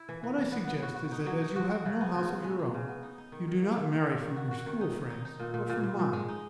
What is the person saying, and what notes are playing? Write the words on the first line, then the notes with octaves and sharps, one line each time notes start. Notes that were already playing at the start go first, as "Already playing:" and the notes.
What I suggest is that, as you have no house of your own, you do not marry from your school friend's, but from mine.
Already playing: E4
E3
E3
E3
B3
B3
F#4
F#4
D#4
F#3
D#4
F#4
F#4
C#3
B3
C#3
B3
G#3
G#3
C#3
B3
D#4
D#4
D#3
D#3
A#3
D#3
A#3
D#3
D#3
F#4
F#4
D#3
D#4
D#4
D#4
D#4
A#2
A#2
A#2
A#2
A#2
G#3
D#4